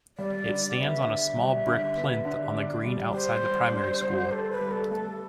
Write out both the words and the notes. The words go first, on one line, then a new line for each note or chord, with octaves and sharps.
It stands on a small brick plinth on the green outside the primary school.
G3 D5
D3
B3 E5
D3
G3
D3
B3
D3
D4
G3
G4 C5
G3
D4
G3
G4 A4
B4
G3
A4
A3 A4